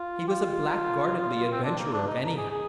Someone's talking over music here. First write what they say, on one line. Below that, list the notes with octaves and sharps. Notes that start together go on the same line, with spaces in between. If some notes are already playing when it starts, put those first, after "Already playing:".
He was a blackguardly adventurer, anyhow.
Already playing: F4
G4
F4
C4
D4
A#3
D4
D#4
A#4
G#4
G#4